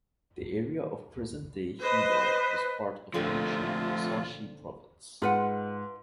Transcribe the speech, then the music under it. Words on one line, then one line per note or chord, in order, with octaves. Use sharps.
The area of present-day Hino was part of ancient Musashi Province.
B4 C5 D#5
A#2 D3 F3 A3 C4 F4
G#2 F4 B4 F#5